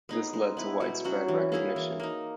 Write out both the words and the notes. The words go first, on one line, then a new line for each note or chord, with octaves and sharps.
This led to widespread recognition.
B3 D#4 G#4
G#3
B3 E4 B4
B2
F#3 C#4 F#4
E3
A#3 E4 G#4
E3
A#3 D#4